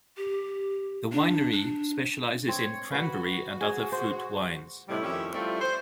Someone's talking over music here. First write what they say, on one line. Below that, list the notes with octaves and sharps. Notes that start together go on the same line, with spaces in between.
The winery specializes in cranberry and other fruit wines.
G4
D4
D4
C4 C#5
F#4 B4 F#5
F#4
G#4
C5
A2 C3 G3 D#4 E4
F2 D#3 C#4 E4 G4 E5
G3 A3 C4 E4 F4
C5